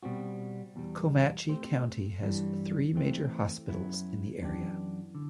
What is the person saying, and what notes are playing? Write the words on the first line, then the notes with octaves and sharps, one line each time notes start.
Comanche County has three major hospitals in the area.
B2 G3 C4 F#4
E2 B2 G3
A3 C4 G4 C5
G2 E3 G3
E3 A3 C4
F#2 F#3 B3 E4 B4
F#2 E3 B3 D4 G4
D3